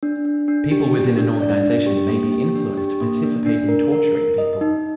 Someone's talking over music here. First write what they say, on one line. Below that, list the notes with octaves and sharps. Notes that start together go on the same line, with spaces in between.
People within an organization may be influenced to participate in torturing people.
D4
D4
D4
G4
D4
D4
D5
D4
G4
A#3
G4
D4
G4
A#3
D4
D4
A#4
A#4
A#4
D#5
D#4